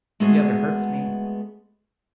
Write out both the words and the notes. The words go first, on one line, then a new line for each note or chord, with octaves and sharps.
"The other hurts me."
G#3 A3 B3 F#4 G#4